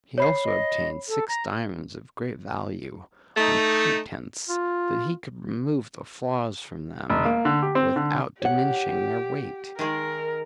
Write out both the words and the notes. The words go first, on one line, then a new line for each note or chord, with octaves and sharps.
He also obtained six diamonds of great value, on pretence that he could remove the flaws from them without diminishing their weight.
C#5 B5 C7
D#5
A4
A#5
A3 D#4
F4
E1
A#3
D3
G4
C4
D3
G4 C#5 F#5
D#3 G#3 G#4 A#4